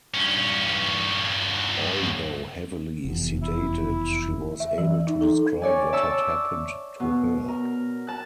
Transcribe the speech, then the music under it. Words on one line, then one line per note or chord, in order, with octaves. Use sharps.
Although heavily sedated, she was able to describe what had happened to her.
G2 C#4
F1 E2
E4
E5
E3
D#4
A4
C#5 D5 G#5
D5 E5 A5 C#6 E6
B2
A#4
A5 F#6